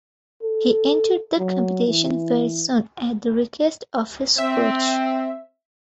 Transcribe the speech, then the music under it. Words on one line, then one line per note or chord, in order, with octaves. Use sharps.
He entered the competition very soon at the request of his coach.
A4
F#3
E3
C4 E5